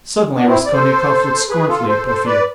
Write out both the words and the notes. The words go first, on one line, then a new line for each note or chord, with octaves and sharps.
Suddenly Raskolnikov looked scornfully at Porfiry.
B3 D4
C4 E4
D5
A4 C5
G#4 B4
F4 A4
A4 C5
A4 C5
B4 D5